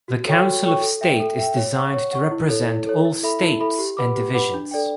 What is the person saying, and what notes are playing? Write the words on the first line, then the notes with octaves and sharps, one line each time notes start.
The Council of State is designed to represent all states and divisions.
F#4
A4 C#5 G5 C#6
F#4
A4 C#5 G5 C#6
A4
E5 G5
A4
E5 G5
C#5
F#5 C#6
C#5
F#5 C#6
E4
A4 C#5
E4
A4 C#5
E4
A4 E5 B5
E4
A4 E5 B5
G4
B4 F#5 B5 D6
G4
B4 F#5 B5 D6
D4
A4 D5 G5